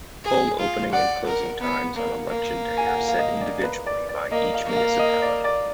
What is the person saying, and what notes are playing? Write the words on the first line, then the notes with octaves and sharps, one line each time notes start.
Poll opening and closing times on election day are set individually by each municipality.
G#4
F4
D5 F#5
A#4
B3
A#3
A#3
G#5
F#5
F5
F5
D#5
D5
B4
D5
D5
A#3 D#5
F5
A#3
F5
D#5
D5
D5